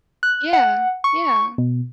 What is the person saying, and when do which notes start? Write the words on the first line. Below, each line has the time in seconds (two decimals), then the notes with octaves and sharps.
Yeah, yeah.
0.23 F#6
0.53 F#5
1.04 C#6
1.58 B2